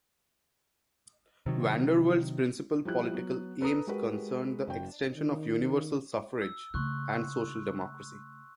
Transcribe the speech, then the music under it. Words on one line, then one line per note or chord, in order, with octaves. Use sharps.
Vandervelde's principle political aims concerned the extension of universal suffrage and social democracy.
C3 D#3 F#3
F3 G3 E4 F#6
F#3 B3
A4 B4 A#5 D#6
G#3 F#4 G4 A#4 B4
F#1 F#4 G5
D#3
E6
C#3 A3 C6 C#6 F#6